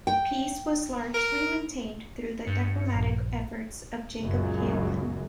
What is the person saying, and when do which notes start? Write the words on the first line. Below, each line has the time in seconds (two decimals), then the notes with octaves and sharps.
Peace was largely maintained through the diplomatic efforts of Jacob Hamblin.
0.07 G5
1.14 A#4
2.45 G2 C#7
2.96 A#1
4.21 F#1 C#2 F#2 A#2 C#3 F#3